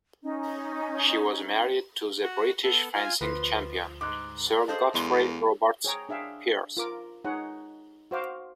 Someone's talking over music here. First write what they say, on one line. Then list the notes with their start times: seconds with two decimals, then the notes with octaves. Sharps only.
She was married to the British fencing champion Sir Godfrey Robarts Pearse.
0.23 C#4 D#4
2.23 F#4 F#5
2.64 B3 A4 A5
2.94 F4 G#5
3.21 D2 F3 B4
4.01 G#2 D6 F#6
4.68 G#4 A4 C5 D#5 F5 A5
4.94 E2 G#3
5.84 G#4 C#5 G5 A#5
6.09 D4 G#4 E5 F5 G5
6.77 F4 A#4 D6
7.25 D#4 G#4 C#5 F#5
8.11 F#4 C5 F5 D6